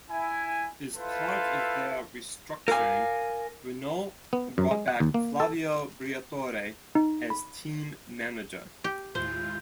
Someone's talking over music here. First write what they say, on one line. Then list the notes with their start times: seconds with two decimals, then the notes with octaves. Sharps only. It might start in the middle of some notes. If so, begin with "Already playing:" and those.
As part of their restructuring, Renault brought back Flavio Briatore as team manager.
0.10 E4 G#5
0.96 E4 F4 A4 B4 C5 F5
2.68 A#4 F5 G#5
4.33 B3
4.58 F#2
4.71 G#3
4.88 F#5
5.00 D#2
5.14 A#3
5.40 A4
6.95 D#4
7.30 B5
8.84 G4
9.15 D#2 A2 G#3 E4 F4 C5 G6